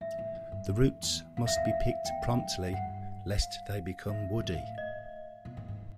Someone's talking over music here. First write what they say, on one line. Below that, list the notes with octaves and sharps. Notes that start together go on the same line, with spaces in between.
The roots must be picked promptly lest they become woody.
G#2 E5
A2
G#2
G2
F2
E2
F#2 F5
F2 E5
E2 F5
F2
E2 G5
F2
F#2
G2 F#5
F5
G#2 E5
G#2
A2
F5
D#5
A#2
A2
G#2